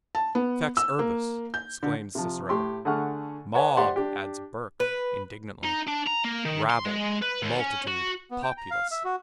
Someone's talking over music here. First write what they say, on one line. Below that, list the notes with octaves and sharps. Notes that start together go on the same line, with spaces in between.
Fex urbis, exclaims Cicero; mob, adds Burke, indignantly; rabble, multitude, populace.
A5
B3
E6
A#3
G6
D3
C3 F3
A2 G4 C6 C#6
D3 A3 G#4 F#5 C#6 F6
B4 C#5 D#5 E5 F#5 G#5
G4 C5 D5 E5 F#5 C6
D4 G4
B4
D#4
D4
A#5
A#3
D#3
C6
G#3
B4
D#2
C#4
F#4
B3
G5
A#5
F5
E5
F#4